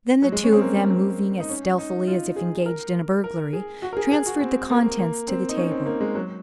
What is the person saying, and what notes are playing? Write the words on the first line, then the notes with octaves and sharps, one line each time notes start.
Then the two of them, moving as stealthily as if engaged in a burglary, transferred the contents to the table.
F#3
G#3
C#4
C4
A#3
C4
D#4
C#4
D#4
F4
G#4
A#4
A#4
G#4
F#4
A#4
G#4
G#4
F#4
C4
A#3
A#3
C4
D#4
C#4
C4
A#3
G#3
F#3